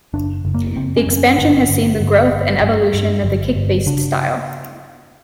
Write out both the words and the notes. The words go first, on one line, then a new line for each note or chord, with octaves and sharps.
The expansion has seen the growth and evolution of the kick-based style.
F#1 D4
F#1
A#3
F#1 C4
C#4
F#2 C4
C#4
G1 D4
G1
G1
G1
G2
G2
G1
G1
C#3 D4